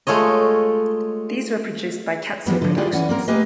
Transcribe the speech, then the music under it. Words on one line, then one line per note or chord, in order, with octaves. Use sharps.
These were produced by Katsu Productions.
G#3 A3 F4 C#5 D#5
F2 E3 G3 G#3 B3
D3 F3
G#3 E4 F4 G4 G#4 D5
D#2 E3 C#4 F#5
A#3 C4 A#4 A#5
A3 A#3 G4 G#4 B4 D#5